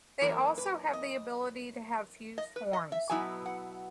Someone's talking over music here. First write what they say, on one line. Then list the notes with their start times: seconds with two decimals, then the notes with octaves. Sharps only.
They also have the ability to have fused horns.
0.21 F#2 E3 A#3 A#4
0.58 B4
0.93 D#5
2.38 D#5
2.56 B4
2.73 D#5
2.92 E5
3.10 B2 F#3 B3 E4 G#5
3.46 F#5